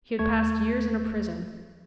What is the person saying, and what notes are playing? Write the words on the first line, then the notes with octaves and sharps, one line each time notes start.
He had passed years in a prison.
D#2 A3 C#6 G#6